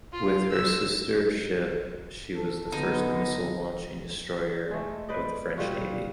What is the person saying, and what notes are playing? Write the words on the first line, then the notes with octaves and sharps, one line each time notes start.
With her sister-ship, she was the first missile-launching destroyer of the French Navy.
F4
E6
A4
D3 G#3 B3 D#4
G#3 A3
B4 C5 D5 D#5
A#2 G3 F4 F#4